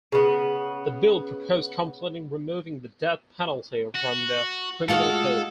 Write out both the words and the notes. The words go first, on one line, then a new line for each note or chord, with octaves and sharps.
The bill proposed completing removing the death penalty from the Criminal Code.
C#3 B3
F#4
G#3 F4 F#4 A4